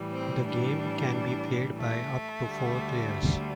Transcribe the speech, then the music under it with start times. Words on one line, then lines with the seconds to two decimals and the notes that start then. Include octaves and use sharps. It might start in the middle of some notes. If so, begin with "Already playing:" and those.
The game can be played by up to four players.
Already playing: A2 E3 G3
0.12 C4
0.46 D4
1.77 A3
2.43 D2 D3 G3